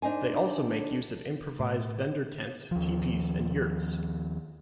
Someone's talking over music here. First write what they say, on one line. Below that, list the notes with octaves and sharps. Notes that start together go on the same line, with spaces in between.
They also make use of improvised bender tents, tipis and yurts.
D4 D#4 C5 G#5
A2
D#2 F3